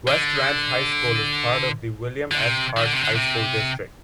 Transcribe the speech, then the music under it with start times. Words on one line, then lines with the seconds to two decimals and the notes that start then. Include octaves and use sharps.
West Ranch High School is part of the William S. Hart High School District.
0.08 D3
2.31 D3
2.38 C3
2.77 D#3
2.85 D3
2.93 C3
3.01 D3
3.15 C3